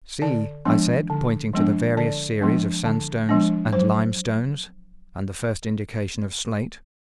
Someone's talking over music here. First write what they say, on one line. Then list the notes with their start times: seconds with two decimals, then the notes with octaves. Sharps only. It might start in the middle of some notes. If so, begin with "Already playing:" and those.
"See," I said, pointing to the varied series of sandstones and limestones, and the first indication of slate.
0.22 D3 D5
0.65 F3 G#3 B3 D4
1.10 D3
1.54 F3 G#3 B3 D4
1.97 D3 D5
2.41 F3 G#3 B3 D4
2.85 D3
3.29 F3 G#3 B3 D4
3.73 F#3 C5